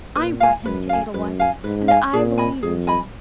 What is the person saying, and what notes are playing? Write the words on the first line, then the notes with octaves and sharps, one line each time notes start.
"I brought him to Edelweiss, and I believe in him."
A#2 B4
F5 G#5
F#2 B4
F5 G#5
F#2 B4
F5 G#5
G#2 B4
F5 G#5
A#2 G#4
D#5 G#5 B5
F2 G#4
D#5 G#5 B5